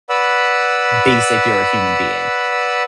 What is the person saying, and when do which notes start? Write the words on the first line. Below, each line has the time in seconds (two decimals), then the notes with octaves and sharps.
basic you're a human being,
0.10 B4 D5 F#5 B5 E6